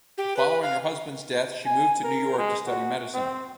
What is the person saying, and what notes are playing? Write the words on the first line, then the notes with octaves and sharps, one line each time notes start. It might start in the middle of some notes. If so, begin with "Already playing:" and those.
Following her husband's death she moved to New York to study medicine.
G4
B4
F5
G#5
A#4
G#3
F#4
C4